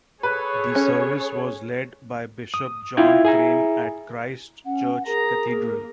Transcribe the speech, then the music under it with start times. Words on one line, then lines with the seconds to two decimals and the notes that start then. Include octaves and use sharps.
The service was led by Bishop John Craine at Christ Church Cathedral.
0.23 G#4 A4 B4 C#5
0.75 C#4
2.54 D#6
2.97 E4 F4 G5 G#6
3.25 G#4 G#5 A#5
4.65 C#4 F#5
5.06 G#4 A#4 A#5
5.50 A#3